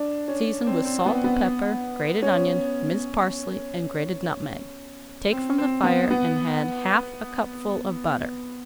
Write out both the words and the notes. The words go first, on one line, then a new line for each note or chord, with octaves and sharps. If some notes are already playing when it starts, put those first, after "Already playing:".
Season with salt, pepper, grated onion, minced parsley, and grated nutmeg, take from the fire and add half a cupful of butter.
Already playing: D4
C#4
C4
C4
C4
B3
B3
C#4
C4
C4
B3
B3